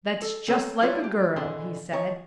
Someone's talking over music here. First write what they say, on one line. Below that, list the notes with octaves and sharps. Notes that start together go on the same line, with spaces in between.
"That's just like a girl," he said.
A4
C4 A4 C#5 A#5
G3 E4 F4 G#4 B4 C#5
D4 G4
B2 D3 E3 D4 G#4 C6
D#3 F3 C#5 A#5